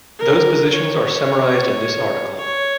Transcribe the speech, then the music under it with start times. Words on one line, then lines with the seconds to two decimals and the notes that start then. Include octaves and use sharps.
Those positions are summarised in this article.
0.19 A#4
0.74 C#5
2.38 C#5